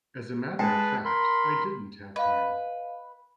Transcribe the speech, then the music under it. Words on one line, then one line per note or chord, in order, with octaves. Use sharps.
As a matter of fact I didn't have time.
G#3 B4 G5 A5
A#4 B5 C6
B4 D#5 F5